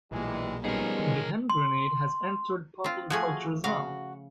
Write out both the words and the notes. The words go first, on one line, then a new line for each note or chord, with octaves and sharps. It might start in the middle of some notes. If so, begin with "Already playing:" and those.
The Hand Grenade has entered popular culture as well.
B1 A#2 E3 G3 G#3
F3 G3 G#3 B3 C#4 D#4 G#4 A#4
D#3
C6
C4 F4
F3 A3 F#4 G#4 G#5
C#3 F#4 F5